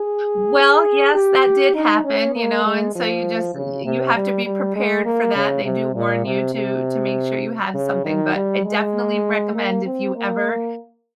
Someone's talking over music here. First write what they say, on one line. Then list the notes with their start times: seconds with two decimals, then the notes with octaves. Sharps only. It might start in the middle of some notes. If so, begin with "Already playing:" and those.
Well, yes, that did happen, you know, and so you just uh, you have to be prepared for that, they do warn you to to make sure you have something, but I definitely recommend if you ever
Already playing: G#4
1.15 G4
1.75 D#4
2.04 C#4
2.35 A#3
2.66 G#3
2.95 F3
3.55 C#3
3.85 C3
4.15 G3
4.45 G3
4.76 G#3
5.06 A#3
5.36 C#3
5.65 C3
5.96 A#2
6.25 C3
6.55 C3
7.75 C#3
8.05 D#3
8.35 G3
8.65 G#3
9.55 A#3
9.86 C4
10.15 A#3